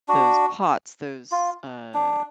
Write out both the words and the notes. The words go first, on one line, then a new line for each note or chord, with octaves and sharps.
those pots, those, uh,
D4 F#4
F4
D4